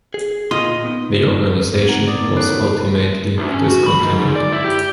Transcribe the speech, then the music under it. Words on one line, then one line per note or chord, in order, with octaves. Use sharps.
The organization was ultimately discontinued.
G#4
A#2 F4 D#5 C6
B3 D#4
C4 G#6
F#5 A#5
B3 D5 D6 D#6 A6
D#4 A#4
C#4 A4 C#5 F#6 C7 D7
D4 E4 F#4 G#4
D2
C#4
F#4
B5
G#2
D5
E4
G4